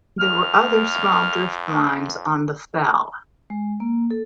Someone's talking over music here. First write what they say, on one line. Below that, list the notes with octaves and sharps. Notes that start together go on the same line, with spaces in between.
There were other small drift mines on the fell.
F2 F6
G#3
A#3
A4